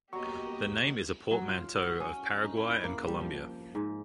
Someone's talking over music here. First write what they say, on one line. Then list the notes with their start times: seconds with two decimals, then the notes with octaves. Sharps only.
The name is a portmanteau of Paraguay and Colombia.
0.13 F#3 A#3 B3 G4 D#5 A#5 C#6
1.31 F#3
1.49 F4
1.77 F#4
2.00 C#4
2.44 D#4
2.57 E4
2.84 A#3
3.07 G3
3.21 F3
3.34 G5
3.75 G#2